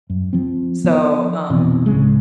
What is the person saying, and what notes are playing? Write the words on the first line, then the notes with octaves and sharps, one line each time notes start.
So, um,
F#2
F3 C4
F3 B3
F1 B2 E3 C4
C#2 A2 C#3 G#3